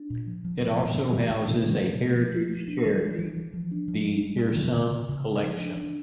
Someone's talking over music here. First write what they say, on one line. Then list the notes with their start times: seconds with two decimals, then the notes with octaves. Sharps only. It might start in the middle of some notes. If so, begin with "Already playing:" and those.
It also houses a heritage charity, The Hearsum Collection.
Already playing: D4
0.10 A#2
0.27 F3
0.45 F3
0.61 F3
0.79 A2
0.95 E3
1.13 G#3
1.30 A2
1.47 C3
1.65 A3
1.82 C3
1.99 A3
2.15 F3
2.33 F3
2.51 A3
2.68 D4
2.85 E3
3.02 G#3
3.19 E3
3.36 E3
3.53 F3
3.71 D4
3.88 F3
4.06 G#3
4.23 G3
4.40 C4
4.57 D3
4.74 D3
4.91 C#3
5.09 C#3
5.26 C4
5.43 F3
5.60 D4
5.77 D4